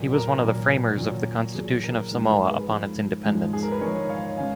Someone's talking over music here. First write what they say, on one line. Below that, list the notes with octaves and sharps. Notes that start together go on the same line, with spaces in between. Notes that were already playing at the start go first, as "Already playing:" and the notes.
He was one of the Framers of the Constitution of Samoa upon its independence.
Already playing: A#2 F#3
A#4
A#2 F#3
A#2 F#3
A#2 F#3 G#4
A#4
G#2 F3 G#3 A#4
A#4
G#4 B4
G#2 F3 G#3
G#2 F3 G#3
G#4
A#4
B4
G#2 F3 G#3 A#4 C#5
C#5 F5
C#3 G#3 F5 G#5